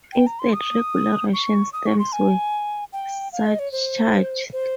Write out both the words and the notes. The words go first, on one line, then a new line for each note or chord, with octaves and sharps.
Instead, regular Russian stamps were surcharged.
G5
A#5
C6
D#6
C#6
D#6
C#6
C6
G#5
G5
F5
D#5
C#5
C5
C5